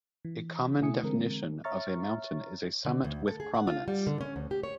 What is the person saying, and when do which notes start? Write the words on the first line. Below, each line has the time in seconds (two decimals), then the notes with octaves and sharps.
A common definition of a mountain is a summit with prominence.
0.25 E3
0.81 B2 A3 E4 G#5 D#6 C#7
1.03 D3 E3 G#3 C4 A#4
1.64 C#5 E5 A#5 C#6 F6 A6
2.85 D3
3.04 D2
3.28 A4
3.40 G#4
3.54 F#5
3.67 F4
3.88 G3
4.07 D3
4.21 C#4
4.36 D2
4.51 G4
4.63 C#5